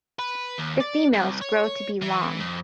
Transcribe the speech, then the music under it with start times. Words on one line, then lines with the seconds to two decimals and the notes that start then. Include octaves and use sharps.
The females grow to be long.
0.19 B4
0.58 D#2
0.80 D5
1.13 C2
1.41 C#5
2.02 E3
2.40 F2